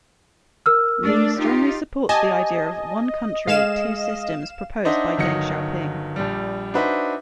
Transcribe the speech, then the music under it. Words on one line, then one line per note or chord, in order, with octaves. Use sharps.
Li strongly supports the idea of "One country, two systems" proposed by Deng Xiaoping.
A#4 E6 F6
A3 D4 D5
D#4 F4 G4
G4 D#5 G#5 A5
G#3 F5 E7
D4 D#4 C5 D#5 E5 F#5
G1 D#3 F#3 D#5 C#7
A#1 G3
D4 D#4 F#4 B4 C5 E5